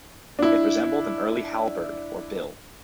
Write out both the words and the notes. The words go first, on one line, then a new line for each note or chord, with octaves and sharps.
It resembled an early halberd or bill.
D4 E4